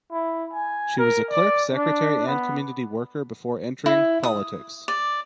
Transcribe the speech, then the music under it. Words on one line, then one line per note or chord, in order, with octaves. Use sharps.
She was a clerk, secretary, and community worker before entering politics.
E4
G#5
A#4
D5
D4
B3
E4
D#6
D5